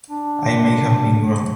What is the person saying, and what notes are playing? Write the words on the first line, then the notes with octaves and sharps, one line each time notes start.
I may have been wrong.
D4